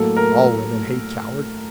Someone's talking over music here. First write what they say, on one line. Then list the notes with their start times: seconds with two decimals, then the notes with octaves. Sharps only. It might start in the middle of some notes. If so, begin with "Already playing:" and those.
All women hate cowards.
Already playing: A2 F#3 A#3 A4
0.17 A#4